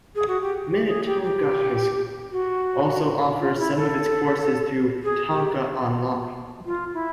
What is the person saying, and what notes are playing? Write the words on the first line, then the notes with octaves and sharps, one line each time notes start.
Minnetonka High School also offers some of its courses through Tonka Online.
G#4
F#4
G4
G4
G#4
G4
G4
F#4
F4
E4
A4
G#4
G4
F4
E4